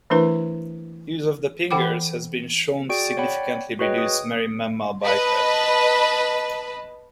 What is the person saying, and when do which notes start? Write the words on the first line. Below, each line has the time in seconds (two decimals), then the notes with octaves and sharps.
Use of the pingers has been shown to significantly reduce marine mammal bycatch.
0.10 E3 A3 D4 E4 A#4 B4
1.71 E3 A4 F#5 G5 B5 D6
2.89 F#4 G#4 D5 G5 D7
3.17 C#5 D5 F#5 G5 B5
3.79 F#4 G#4 B4 C#5 D#5 G5
3.98 D#6
5.03 B4 D#5 A5 B5